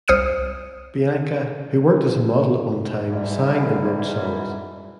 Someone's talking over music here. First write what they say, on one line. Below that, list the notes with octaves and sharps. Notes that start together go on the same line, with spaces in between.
Bianca, who worked as a model at one time, sang and wrote songs.
C2 C5 D#6 F6 C#7 D#7
G#2 B2 D3 E3 G3